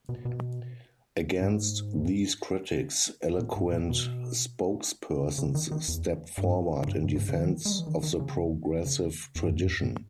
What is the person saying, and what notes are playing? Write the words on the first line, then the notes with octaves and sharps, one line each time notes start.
Against these critics eloquent spokespersons stepped forward in defense of the progressive tradition.
B2
B2
G#2
A#2
G#2
A#2
B2
C#3
D#3
D#3
E2
G2
G2
G2
G2
G#2
C#3
D#3
G#3
G3
E3
D#3
D#3
C#3
C#3
E2
G2
E2
G2
E2
G#2